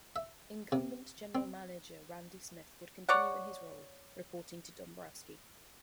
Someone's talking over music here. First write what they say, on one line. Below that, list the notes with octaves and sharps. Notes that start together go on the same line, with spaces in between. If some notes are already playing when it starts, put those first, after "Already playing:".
Incumbent general manager Randy Smith would continue in his role, reporting to Dombrowski.
E5
C3
C4
C#5 D5 F#5